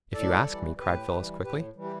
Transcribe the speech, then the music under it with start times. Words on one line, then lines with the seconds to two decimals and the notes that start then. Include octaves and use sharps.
"If you ask me," cried Phyllis quickly.
0.13 A2 A4 D5
0.47 E3 G3
0.78 A2 G4 B4
1.11 E3 G3
1.43 A2 G4 B4
1.76 E3 G3
1.84 G4